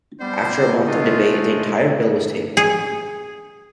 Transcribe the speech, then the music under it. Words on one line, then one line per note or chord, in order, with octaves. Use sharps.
After a month of debate, the entire bill was tabled.
G3 B3 C5
G#3 A3 D#4 F4 D#5
G#4